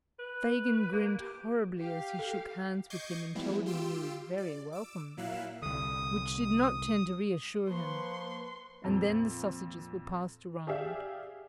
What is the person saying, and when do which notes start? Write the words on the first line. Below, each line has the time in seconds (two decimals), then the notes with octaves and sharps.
Fagin grinned horribly as he shook hands with him and told him he was very welcome, which did not tend to reassure him, and then the sausages were passed around.
0.19 B4
0.93 A#3
1.07 A#3
1.20 G4
1.78 G4 F5
2.19 A4
2.90 D#5 C#6 D6 G6 G#6 C7
3.35 E3 F3 G3 G#3 B3 E4
3.66 F4 G4 C6 E6 D7
4.38 D5
4.72 D6 E6
5.17 A#2 F#3 E4 F5 E6 F#6
5.62 C2 D3 D#6
7.69 F3 A#3 B4 C6 C#6
8.84 F2 A#2
10.67 G4 G#4 D5 E5 F5